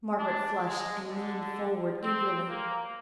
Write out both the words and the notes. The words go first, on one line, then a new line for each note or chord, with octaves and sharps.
Margaret flushed and leaned forward eagerly.
D4
G#3
D3
C4
A#3